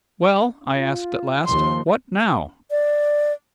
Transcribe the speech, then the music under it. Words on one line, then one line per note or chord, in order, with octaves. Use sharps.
"Well," I asked, at last, "what now?"
F4
D#2 F3 C6
D5